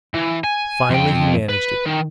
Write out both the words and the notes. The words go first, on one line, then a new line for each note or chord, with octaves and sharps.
Finally he managed it.
E3
G#5
F2 G5
B4
D#3